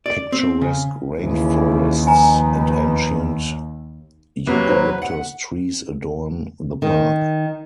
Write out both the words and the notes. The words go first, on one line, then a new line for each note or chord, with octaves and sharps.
Picturesque rain forests and ancient eucalyptus trees adorn the park.
D5
C4
C#3
D#2 C#3 E3
F3 D#4 B4 G#5 A#5
C3 F#3 A#3 B4
D#4 C5
F#5
D#3